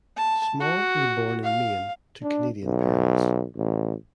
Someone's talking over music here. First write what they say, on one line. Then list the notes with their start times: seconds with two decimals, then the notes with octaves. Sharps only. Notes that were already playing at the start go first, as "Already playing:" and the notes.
Small was born in Maine to Canadian parents.
0.17 A5
0.60 F#4
1.43 F5
2.23 D4
2.64 B1
3.56 A1